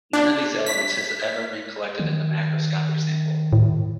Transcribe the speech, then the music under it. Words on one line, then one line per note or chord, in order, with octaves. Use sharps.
None of these elements has ever been collected in a macroscopic sample.
D4
B6
D#3
A2